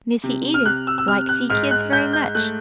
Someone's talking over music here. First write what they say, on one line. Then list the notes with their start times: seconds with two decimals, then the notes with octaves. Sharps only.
Missy Edith like see kids very much.
0.24 C3
0.54 F6
0.65 C3 F#6
0.87 E6
0.98 E6
1.08 C3 F6
1.29 F#6
1.50 G#2 F6
1.71 F#6
1.92 G#2 G6
2.13 G6
2.35 A3 F#6